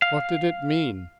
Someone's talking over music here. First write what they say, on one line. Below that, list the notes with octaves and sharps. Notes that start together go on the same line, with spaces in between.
What did it mean?
F5